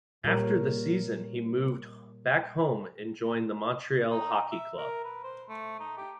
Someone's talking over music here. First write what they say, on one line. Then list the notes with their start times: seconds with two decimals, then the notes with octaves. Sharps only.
After the season, he moved back home and joined the Montreal Hockey Club.
0.24 A#2 G3 A#4 C#5
4.11 D#4
4.51 E5
4.78 A#4
5.04 B4
5.23 C5
5.49 A3
5.80 D#4
5.97 G4